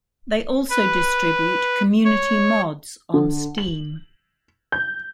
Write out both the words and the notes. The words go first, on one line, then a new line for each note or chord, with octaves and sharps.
They also distribute community mods on Steam.
B4
C#5
D3
F#7
G6